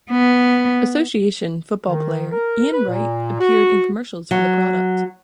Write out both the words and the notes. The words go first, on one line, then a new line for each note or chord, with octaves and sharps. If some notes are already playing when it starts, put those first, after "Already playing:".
Association football player Ian Wright appeared in commercials for the product.
B3
D#3
A#4
B4
A#2
F#4
F#3